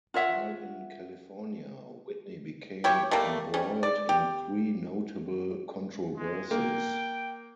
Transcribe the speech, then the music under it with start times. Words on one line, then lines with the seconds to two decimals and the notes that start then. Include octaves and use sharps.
While in California, Whitney became embroiled in three notable controversies.
0.14 F4 C#5 E5 F#5
2.84 E4 G4 C#5
3.11 G3 A3 A#3
3.54 G3 C#4
3.83 D5
4.09 G4
6.17 G#3
6.51 A#3 G5